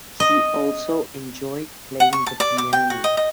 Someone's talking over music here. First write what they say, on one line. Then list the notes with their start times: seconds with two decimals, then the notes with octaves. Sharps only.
He also enjoyed playing the piano.
0.20 D#5
2.00 F#5
2.13 C#6
2.26 A5
2.40 D5
2.58 D6
2.73 G5
2.90 F#4
3.04 D#5
3.17 D#5